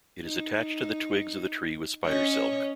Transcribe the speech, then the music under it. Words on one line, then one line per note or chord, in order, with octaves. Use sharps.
It is attached to the twigs of the tree with spider silk.
D#4
C#4 C#5 D#5